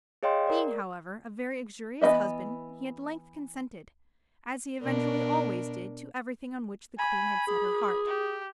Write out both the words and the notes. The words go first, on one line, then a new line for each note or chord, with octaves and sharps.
Being, however, a very uxorious husband, he at length consented--as he eventually always did to everything on which the Queen had set her heart.
G#4 C#5 D#5 F5 G5 C6
A#4 D5
E3 B3 E4 D#5 E5
B2 D4 A#4
G#5 B5
G#4
G4